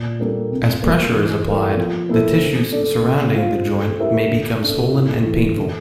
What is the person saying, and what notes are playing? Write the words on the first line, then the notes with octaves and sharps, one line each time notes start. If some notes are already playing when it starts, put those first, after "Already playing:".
As pressure is applied, the tissues surrounding the joint may become swollen and painful.
Already playing: A#2
G3 A#3 D4 A4
C3
G3 A#3
E3
A3 E4 A#4 F5
F3
A#3 E4 A4 C5
D3
A3 D4 A4 D5
C4
F4 C5 F5
A3
E4 G4 A#4 E5
D3
A3 D4 A4
A2
E3 A3
D3